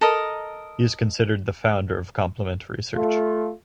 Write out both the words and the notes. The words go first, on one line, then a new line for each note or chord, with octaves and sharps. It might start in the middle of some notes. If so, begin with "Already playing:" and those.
He is considered the founder of complement research.
A4 A#4 D#5
A3 F4